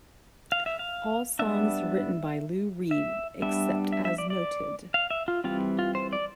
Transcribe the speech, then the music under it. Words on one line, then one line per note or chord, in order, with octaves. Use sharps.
All songs written by Lou Reed except as noted.
F5
E5
F5
G3 B3 D4 E5
E5
G3 B3 D4 E5
E5
E5
D5
D5
F5
E5
F4
E3 G3 C4 F4
F4
C5
D5